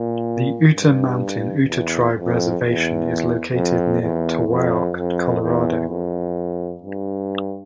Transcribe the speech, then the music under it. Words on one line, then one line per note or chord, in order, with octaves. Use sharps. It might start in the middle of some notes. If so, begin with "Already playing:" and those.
The Ute Mountain Ute Tribe Reservation is located near Towaoc, Colorado.
Already playing: A#2
G2
E2
F2
E2
F2
E2
F2
F2
E2
F2
G2